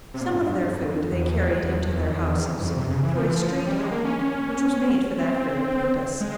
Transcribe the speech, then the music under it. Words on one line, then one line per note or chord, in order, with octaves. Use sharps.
Some of their food they carried into their houses through a straight hall which was made for that very purpose.
C3
A#2
G#2
G2
F2
E2
E2
E2
F2
E2
G2
F2
C3
C#3
E3
F3
E3
F3
G3
G#3
A#3
C#4
C4
G#3